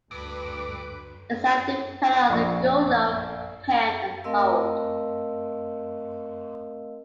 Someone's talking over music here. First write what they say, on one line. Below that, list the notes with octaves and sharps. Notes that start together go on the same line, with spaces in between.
Its life depended on "Go Low, Pin and Hold".
D2 G2 B4 D6
A#1 C#6
A3 C4 A#4 D#5 F5 E6